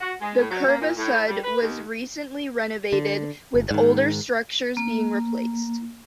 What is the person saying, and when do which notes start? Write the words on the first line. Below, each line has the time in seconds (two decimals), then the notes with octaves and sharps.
The Curva Sud was recently renovated, with older structures being replaced.
0.01 F#4
0.21 G#3
0.39 A2
0.51 F#3
0.67 A#3
0.80 A#2
0.96 A2
1.28 G3
1.44 B4
1.62 D#2
2.93 D3
3.54 G1
3.71 G#2 D#3
4.77 A#3